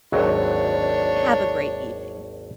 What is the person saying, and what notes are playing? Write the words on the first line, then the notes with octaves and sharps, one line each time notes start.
Have a great evening.
G#1 D#2 F#3 D4 C#5